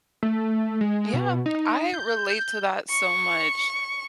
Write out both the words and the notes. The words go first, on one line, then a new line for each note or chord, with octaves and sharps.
Yeah, I relate to that so much.
A3
G#3
B2
D#4
G6
C#6